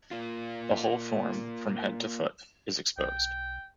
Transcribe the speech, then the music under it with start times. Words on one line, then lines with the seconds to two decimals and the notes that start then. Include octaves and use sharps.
The whole form, from head to foot, is exposed.
0.11 A#3 F4
2.98 B1 G5